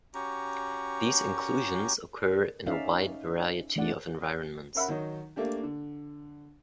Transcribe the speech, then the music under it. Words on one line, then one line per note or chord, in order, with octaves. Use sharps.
These inclusions occur in a wide variety of environments.
C#4 F#4 G4 A#5
C#4 D#4 D5 E5 F5
E3 A3 D4 D5 F#5
C#4 A#4 E5 F#5 B5
D#3 F#3 D#4
A3 A#3 D4 G4
D3